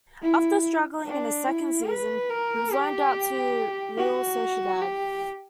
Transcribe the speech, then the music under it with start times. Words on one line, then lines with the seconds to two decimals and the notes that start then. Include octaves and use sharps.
After struggling in his second season, he was loaned out to Real Sociedad.
0.22 E4
1.05 D4
1.47 E4
1.89 B4
2.30 A#4
2.73 G4
3.97 F#4
4.81 G4